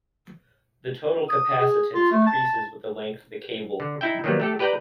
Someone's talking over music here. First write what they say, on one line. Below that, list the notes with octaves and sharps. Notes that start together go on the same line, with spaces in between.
The total capacitance increases with the length of the cable.
D#6
G#4
F4
A3
A5
D3
D#4 E4 E5 G5
D#3 F#3 G3 A#3 B3
A3 G4 A4
G4 B4 D5 G5 A#5